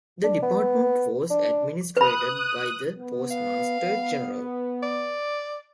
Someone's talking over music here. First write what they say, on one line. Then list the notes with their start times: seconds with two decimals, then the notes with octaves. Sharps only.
The Department was administered by the Postmaster-General.
0.24 D4
0.42 B3
1.30 D4
1.97 B4 B5 D#6 F#6
2.98 B3
3.31 F5
3.80 B3
4.82 D5